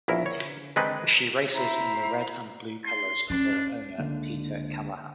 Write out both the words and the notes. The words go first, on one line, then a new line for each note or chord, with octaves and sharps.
She races in the red and blue colors of her owner Peter Callahan.
A#1 E2 E4 A#4
C#5
D#3 G#3 C4 D4 D#4 B4
E4 C5 E5 A#5
C6
C#4 D4
C#2 D3 A#3